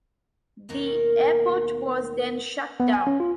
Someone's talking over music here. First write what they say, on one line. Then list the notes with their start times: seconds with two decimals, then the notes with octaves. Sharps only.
The airport was then shut down.
0.69 D#2 B2 D#3 A#3 A#4
2.80 B3
2.94 G#5
3.07 C#4
3.20 F4